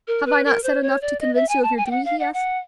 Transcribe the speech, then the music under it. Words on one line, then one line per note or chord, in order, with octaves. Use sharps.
"Have I not said enough to convince you of your duty?" he asked.
A#4
B4
A#4
C5
C#5
D5
D#5
E5
G#5
A5
G#5
G5
F#5
F5
F#5
F#5